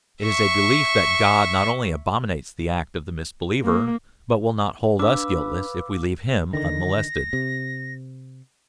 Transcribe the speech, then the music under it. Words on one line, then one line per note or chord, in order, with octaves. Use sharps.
It is a belief that God not only abominates the act of the misbeliever, but will not hold us guiltless if we leave him unmolested.
E5 C#6
A#3
D4 B4 F5 D6 E6
D3 D#3 A#6
C3